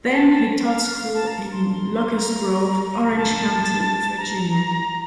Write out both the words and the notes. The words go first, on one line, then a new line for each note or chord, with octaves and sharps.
Then, he taught school in Locust Grove, Orange County, Virginia.
A5
F5
A5
A#5
C6
A#5
A5
A#5